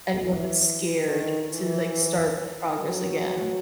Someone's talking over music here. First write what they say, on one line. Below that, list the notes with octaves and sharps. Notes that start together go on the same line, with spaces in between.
anyone that's scared to like start the progress again.
E3
D#3
E3
F#3